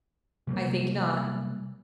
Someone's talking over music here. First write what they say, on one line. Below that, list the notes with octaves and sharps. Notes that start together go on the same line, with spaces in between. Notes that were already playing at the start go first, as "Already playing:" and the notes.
"I think not."
C3 F#3 G3 A#3